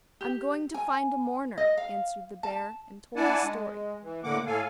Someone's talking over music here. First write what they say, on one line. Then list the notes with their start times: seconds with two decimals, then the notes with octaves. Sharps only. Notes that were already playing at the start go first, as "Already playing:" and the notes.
'I am going to find a mourner,' answered the bear, and told his story.
0.21 G4
0.74 G#5
1.58 D#5
1.78 F5
2.43 A5
3.16 D4 E4 D5 F#5 G#5 A5
3.43 G#3
4.02 E3
4.24 A2 D3 A#3 F#5 D6
4.47 A2 A4 F5 G#5